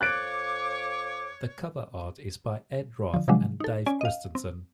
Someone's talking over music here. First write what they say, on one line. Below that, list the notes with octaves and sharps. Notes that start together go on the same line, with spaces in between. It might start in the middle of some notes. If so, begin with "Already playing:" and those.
The cover art is by Ed Roth and Dave Christensen.
F2 C#5 F5 D6 F#6 A6 D7
D3 F3
C3 D#3 F3 F#3 G#3 D4
D#4 A4
C#4 D5 G#5
D#5 F5
C4